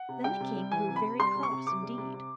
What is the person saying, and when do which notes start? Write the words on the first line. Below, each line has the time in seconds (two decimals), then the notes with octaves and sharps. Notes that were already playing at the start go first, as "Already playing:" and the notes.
Then the king grew very cross indeed.
Already playing: F#5
0.09 C3
0.24 G3 G5
0.40 C3
0.56 G3
0.72 E3 G#5
0.88 C3
0.96 B5
1.04 C3
1.19 G3 C6
1.35 C3
1.43 C#6
1.51 C3
1.67 C3 D6
1.83 G3
1.98 C3
2.14 C3